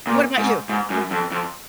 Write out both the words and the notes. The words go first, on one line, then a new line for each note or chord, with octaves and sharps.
What about you? Mhm.
A#2
G#2
G#2
F#2
F2
F2